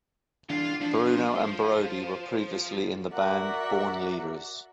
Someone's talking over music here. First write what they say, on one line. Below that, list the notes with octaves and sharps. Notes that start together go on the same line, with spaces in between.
Bruno and Brodie were previously in the band Born Leaders.
E3 D4 F4 F5
F3 D4
C5
F#4 A#4 D5 E5 F#5